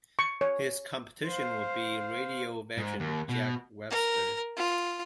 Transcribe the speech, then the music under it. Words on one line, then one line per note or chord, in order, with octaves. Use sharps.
His competition would be radio veteran Jack Webster.
C#6
C#5
C5 F5
G#2
D#2
B2
A#4
F4